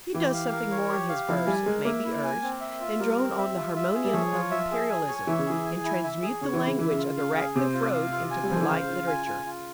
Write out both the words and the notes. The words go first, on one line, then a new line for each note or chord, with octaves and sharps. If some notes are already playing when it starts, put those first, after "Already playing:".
He does something more in his verse, it may be urged, than drone on the harmonium of Imperialism, and transmute the language of the Ratcliff Road into polite literature.
E3 G4
F5
A#4
C#5
G4
F5
F3 E4
G3 G#5
G#3 A#4
A#3 E5
E4
G#5
C4
E5
F4
G3 A#4
C4
E5
F4
E5
G#4
G3
F3 C#5
F4
E5
G#4
G#5
C#5
E3 E5
C#3
E3 G#4
G#5
E4
E5
G#4
C#3 C#5
E3
E4
C#3
E3 E5
C#3
F4
F5
G#4
C3 C5
F4
F5
F4
G#5
G3
F3 C5
E3
C#3 F5
F4
G#5
F4
F4